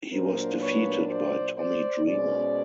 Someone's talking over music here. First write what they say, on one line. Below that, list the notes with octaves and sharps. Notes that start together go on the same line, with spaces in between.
He was defeated by Tommy Dreamer.
A#2 F#3 A#3 D4 A#4 C5
B4 C#5
C5 D5
C5 D5
B2 G#3 C#4 C5 D5